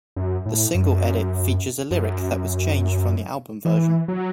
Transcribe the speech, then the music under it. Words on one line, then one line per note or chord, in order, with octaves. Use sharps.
The single edit features a lyric that was changed from the album version.
F#2
A2
F#2
F#2
E3
F#3